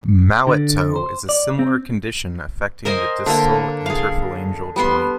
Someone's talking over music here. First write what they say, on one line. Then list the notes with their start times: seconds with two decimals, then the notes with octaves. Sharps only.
Mallet toe is a similar condition affecting the distal interphalangeal joint.
0.47 D3
0.96 C5
1.29 D5
1.59 C4
2.85 A#4 C5 D#5 G#5
3.26 D3 A#3
3.86 G#4 F5
4.76 G3 B3 C6